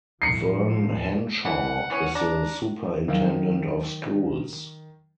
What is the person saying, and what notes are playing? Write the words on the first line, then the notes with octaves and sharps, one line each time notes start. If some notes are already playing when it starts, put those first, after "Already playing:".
Vern Henshaw is the Superintendent of Schools.
A2 F3 C7 C#7
E3 F#5
E3 B3 C#4
D4 A#5
D#3 F#3 F5